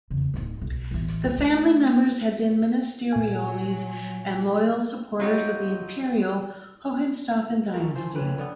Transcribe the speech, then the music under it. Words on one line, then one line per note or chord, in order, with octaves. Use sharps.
The family members had been ministeriales and loyal supporters of the Imperial Hohenstaufen dynasty.
E2 C#3
D1 D#4
B1
A1 E3
C#2
A3
A#2 F#3 G#5
F#3 D#4 F4 G4
F3 A#4
E3 F3 C5
F2 C#4 B4
D3 B3